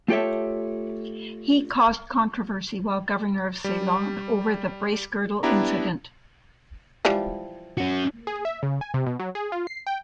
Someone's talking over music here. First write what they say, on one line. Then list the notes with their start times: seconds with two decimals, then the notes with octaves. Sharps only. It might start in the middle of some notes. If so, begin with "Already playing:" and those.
He caused controversy while Governor of Ceylon over the Bracegirdle Incident.
0.08 A3 F4 G4 A4 C#5 E5
3.64 G3
5.43 B3 D4 E4 G4 A#5
7.05 E3 F3 G3
7.78 C#4 F#4
8.27 G#4
8.45 E5
8.63 C#3
8.81 G#5
8.94 C3
9.06 B2
9.20 F#3
9.35 G#4
9.52 F4
9.67 C7
9.87 G5